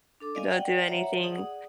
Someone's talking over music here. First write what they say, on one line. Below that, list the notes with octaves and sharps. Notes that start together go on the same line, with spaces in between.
don't do anything."
D4 A4 D6
D5 D#5 F5 G#5
D5 F#5 G5
C#5 E5 F#5 A#5
G#4 D5 F#5 D#6